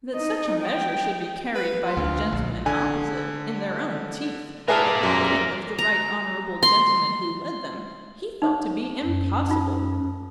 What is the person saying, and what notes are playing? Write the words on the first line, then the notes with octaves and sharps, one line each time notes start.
That such a measure should be carried by the gentlemen opposite, in their own teeth, at the bidding of the right honourable gentleman who led them, he thought to be impossible.
D#4 D#5
G5
B4
F4
D2
A#1
D3 G#5
G#4 A#4 B4 D5 E5 A5 F6
F#2
A#5
C6
D#4 C5 C#5
F#2
D#4 F4